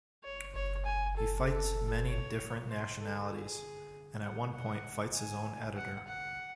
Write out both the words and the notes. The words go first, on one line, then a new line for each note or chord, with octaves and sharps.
He fights many different nationalities, and at one point fights his own editor.
C#5
C#5
G#5
A4
A4
C#5
C5
A4
G#4
F#5
F#5
G#5
F#5
F#5